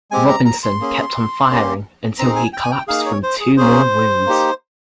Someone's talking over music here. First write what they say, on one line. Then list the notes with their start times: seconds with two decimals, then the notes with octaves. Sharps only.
Robinson kept on firing until he collapsed from two more wounds.
0.11 G#3 C4 G4 G#5
0.29 A#5
0.45 A#5
0.63 C6
0.80 A#3 C#4 G#4
1.50 A#3 C#4 G4
2.19 C4 D#4 G#4 A#5
2.36 G#5
2.53 G5
2.63 G#5
2.71 G5
2.88 A#3 D#4 G#4 F5
3.06 C#5
3.23 C5
3.40 G#4
3.57 A#3 C#4 G#4 C5
4.27 A#3 D#4 G4